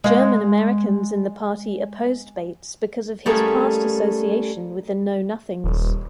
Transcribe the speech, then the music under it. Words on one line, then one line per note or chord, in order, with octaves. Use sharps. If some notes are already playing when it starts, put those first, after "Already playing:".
German-Americans in the party opposed Bates because of his past association with the Know-Nothings.
G#3 F5
G3 A3 A#3 C#4 G#4
D#1